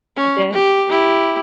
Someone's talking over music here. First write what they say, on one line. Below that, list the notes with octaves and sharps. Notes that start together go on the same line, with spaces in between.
it did
C#4
G4
E4 G4